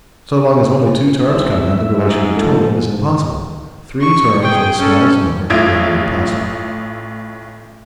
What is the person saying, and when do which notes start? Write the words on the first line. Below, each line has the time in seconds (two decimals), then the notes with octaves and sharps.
So long as only two terms come in, the relation 'between' is impossible: three terms are the smallest number that render it possible.
1.26 C2 E5
1.96 G#2
2.37 F3 A3 A4
4.00 C#6
4.42 G#4 G5
4.79 C#4 A4
5.50 A1 A2 F4 E5 G#6 D7